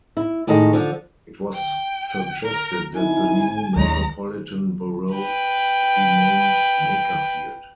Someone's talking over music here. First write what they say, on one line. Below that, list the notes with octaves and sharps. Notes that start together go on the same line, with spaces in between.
It was suggested that the new metropolitan borough be named Makerfield.
E4
A2 D#3 G#3 A4 D#5
D3 F3
G5
A#4
C4 D#4 E4 G#5
D#2 A2 G#3 D4 C#5 A#5
B4 G5